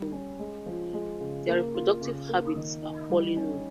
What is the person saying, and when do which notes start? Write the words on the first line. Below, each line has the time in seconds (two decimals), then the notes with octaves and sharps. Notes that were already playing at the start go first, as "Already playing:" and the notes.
Their reproductive habits are poorly known.
Already playing: G3
0.12 C#4
0.39 G#3
0.66 F3
0.93 G#3
1.20 C#3
1.48 A#3
1.74 F4
2.01 C#3
2.29 A#3
2.56 D#3
2.82 D#4
3.10 G3
3.37 C#4